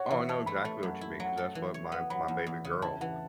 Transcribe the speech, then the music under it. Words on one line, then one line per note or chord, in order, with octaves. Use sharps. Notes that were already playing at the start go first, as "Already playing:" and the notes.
Oh, I know exactly what you mean, 'cause that's what my my baby girl,
Already playing: F#4 C#5
E3 E5
C#5 A5
A3 B5
A3
F#2
E4
F#3
A4
E3
C#5
B3
F#3 B5
E2
E2
C#3
E4 A5
E3 F#5